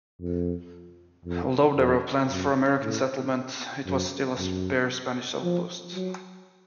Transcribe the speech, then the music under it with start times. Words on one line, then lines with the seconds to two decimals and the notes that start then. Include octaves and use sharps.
Although there were plans for American settlement, it was still a spare Spanish outpost.
0.21 F2
1.25 F2
1.77 F2
2.31 F#2
2.82 A2
3.87 F#2
4.38 F#2
5.43 F3
5.94 F#3